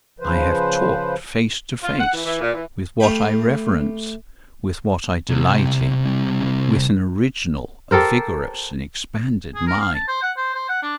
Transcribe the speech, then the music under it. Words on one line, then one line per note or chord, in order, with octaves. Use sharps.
I have talked, face to face, with what I reverence, with what I delight in,--with an original, a vigorous, an expanded mind.
C#3 F3 B4 C5
F4
F#5
E3
E3
A#2
E3
A3 G4 F5 G5 B5
C2 C3
G4 A4 A#4 C5
G#4
A#4
F5
A5
C5
F#5
C5
C5
F#5
D4